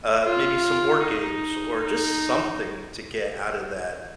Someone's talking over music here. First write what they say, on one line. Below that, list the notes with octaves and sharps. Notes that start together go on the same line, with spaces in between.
uh, maybe some board games or just something to get out of that
F4
D#4
D#4